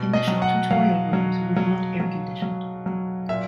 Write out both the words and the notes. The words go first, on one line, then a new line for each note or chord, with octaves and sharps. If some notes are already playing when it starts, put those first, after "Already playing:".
Initial tutorial rooms were not air-conditioned.
Already playing: B2
D#5
F#3
F#5
F#3 F5
F#3
F#3
F#3
F#3
F#3
A#2 E5